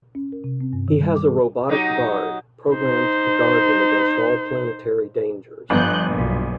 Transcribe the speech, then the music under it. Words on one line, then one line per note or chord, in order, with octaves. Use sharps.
He has a robotic guard, programmed to guard him against all planetary dangers.
C#4
A#4
C3
C4
G2
D#3
G3
D6
G#4
F#3 D#4 G4
D#4 C5
G1 F3 B3 F#6 G6
B1 A#2